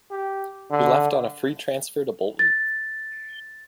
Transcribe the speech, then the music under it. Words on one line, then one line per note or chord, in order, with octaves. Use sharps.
He left on a free transfer to Bolton.
G4
D3
A6